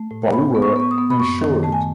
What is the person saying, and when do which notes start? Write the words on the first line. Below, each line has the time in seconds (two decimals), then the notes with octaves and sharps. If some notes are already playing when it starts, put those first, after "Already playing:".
But we were insured.
Already playing: A3
0.11 A2
0.32 B3 B5
0.55 B3
0.62 C#6
0.76 B3 C#6
0.91 D#6
0.98 B3
1.10 B5
1.20 F#2 C#6
1.41 D#3
1.63 A3 A5
1.72 G#5